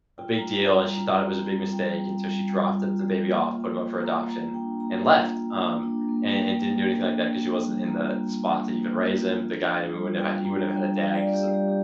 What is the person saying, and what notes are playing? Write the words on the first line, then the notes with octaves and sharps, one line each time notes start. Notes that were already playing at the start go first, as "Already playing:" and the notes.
a big deal, and she thought it was a big mistake, and so she dropped the the baby off, put him up for adoption, and left, um, and and didn't do anything like that 'cause she wasn't in the the spot to even raise him. The guy who wouldn't have he wouldn't have had a dad 'cause
F4 G5
A#5
G3
G3
A#5
F4 A#5
C4
G3
F4 G5
G3
G3
G3
F4
G3
A#3
F4
F4
A#3 A#5
F4 A#5
D4 G5
A#3 A#5
F4
A#3
A#3
D4
A#3
A#3 G5
A#3
D4
D4
A#3
G3
F4 A#5
F4
D4
A#3
F4
F4
D4
F4
G3
G3 G5
D4 A#5
G3 G5
G3 F5
D5
F4
G4
G3
G4
G4